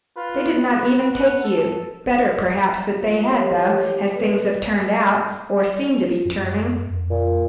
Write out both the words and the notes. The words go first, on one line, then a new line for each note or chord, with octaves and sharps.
They did not even take you; better, perhaps that they had though, as things have turned out, or seem to be turning.
F4 B4
F#4
F#5
A4
F4
E3 G4 A4 C#5
B2 G4 A4 B4
F#2
F2
A#2